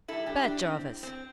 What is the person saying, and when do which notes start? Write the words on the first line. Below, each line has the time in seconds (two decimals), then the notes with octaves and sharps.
Bat Jarvis.
0.08 A2 G3 E4 A4
0.26 D4 G4
0.44 D4 G4
0.62 C4
1.03 C4